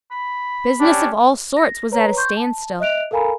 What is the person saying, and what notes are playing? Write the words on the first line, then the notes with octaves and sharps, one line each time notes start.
Business of all sorts was at a standstill.
B5
C#4 D4 G4
A#6
B4 C#5 A#5
C6 C#6 G6
A5
D#5 E5 F#6 D7 F7
A4 A#4 F5 G#5 A#5 B5